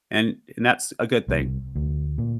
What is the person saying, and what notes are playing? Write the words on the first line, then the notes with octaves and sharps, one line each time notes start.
and and that's a good thing.
C2
D2
A#2